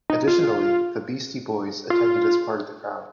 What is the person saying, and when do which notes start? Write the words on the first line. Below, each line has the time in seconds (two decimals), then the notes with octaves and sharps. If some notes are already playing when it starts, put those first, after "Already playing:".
Additionally, the Beastie Boys attended as part of the crowd.
0.10 D#4
0.28 F4
1.90 F4